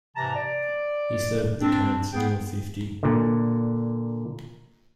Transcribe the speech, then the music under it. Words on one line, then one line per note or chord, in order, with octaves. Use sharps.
He served on the Council of Fifty.
G#2 C3 E3 A5 A#5
D5
C4 D4
B3 G#4 G5
A#2 D3